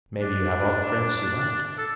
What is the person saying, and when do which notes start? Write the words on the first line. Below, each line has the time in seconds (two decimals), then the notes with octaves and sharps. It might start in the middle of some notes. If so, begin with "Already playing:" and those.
But maybe you have all the friends you want.
0.21 D4
1.78 A4